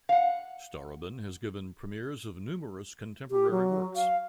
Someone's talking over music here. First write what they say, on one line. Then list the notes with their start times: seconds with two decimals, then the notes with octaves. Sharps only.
Starobin has given premieres of numerous contemporary works.
0.09 F5 F#5
3.31 G4
3.51 F#3
3.96 F5